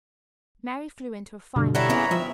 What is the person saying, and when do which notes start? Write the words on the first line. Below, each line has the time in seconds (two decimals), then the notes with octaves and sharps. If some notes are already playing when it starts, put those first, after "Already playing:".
Mary flew into a fine passion.
1.56 G2 B2 D3
1.75 G3 E4 A4 C#5 F#5 A#5 B5
1.89 D#2 C#3 E3 B3
2.11 D#3 F3 E5